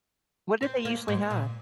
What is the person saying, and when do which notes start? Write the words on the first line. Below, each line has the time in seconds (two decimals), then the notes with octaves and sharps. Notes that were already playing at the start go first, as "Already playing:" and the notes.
What do they usually have?
0.63 C4
0.85 A#3
1.08 G#2
1.30 A#2